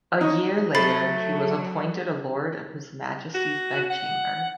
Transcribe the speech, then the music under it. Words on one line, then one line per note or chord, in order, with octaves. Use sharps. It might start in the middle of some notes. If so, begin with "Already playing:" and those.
A year later, he was appointed a lord of His Majesty's bedchamber.
D#4 C#5
F#3 A3 B5 A6 C7
F#4
F#5